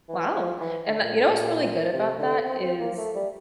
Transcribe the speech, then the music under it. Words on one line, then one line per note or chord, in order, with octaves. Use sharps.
Wow. And that you know what's really good about that is
E3
F3
E3
D3
A#2
A2
A#2
A#2
C3
D3
C4
C4
A#3
A3
G3